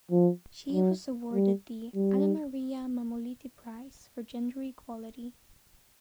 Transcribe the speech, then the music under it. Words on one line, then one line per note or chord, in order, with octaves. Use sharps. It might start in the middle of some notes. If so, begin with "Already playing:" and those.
She was awarded the "Anna Maria Mammoliti Prize" for gender equality.
F3
F#3
G3
G3